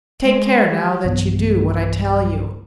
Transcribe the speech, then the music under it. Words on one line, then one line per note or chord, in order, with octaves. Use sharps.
Take care now that you do what I tell you.
G#3
G4
B1 G2 E3 B3